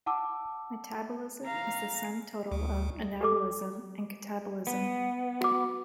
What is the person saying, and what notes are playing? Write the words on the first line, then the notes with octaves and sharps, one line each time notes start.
Metabolism is the sum total of anabolism and catabolism.
F#5 A5 D6 E6
F5 A#5
D2
G4 A4 D6
B3
F#4 D6